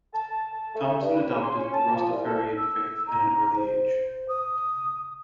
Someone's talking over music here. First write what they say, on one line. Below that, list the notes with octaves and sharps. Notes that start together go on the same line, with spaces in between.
Thompson adopted the Rastafarian faith at an early age.
A5
A5
A3
G2
B4
C#3
C6
C#4
A5
F3
C2
A4
E6
A#5
C5
D#6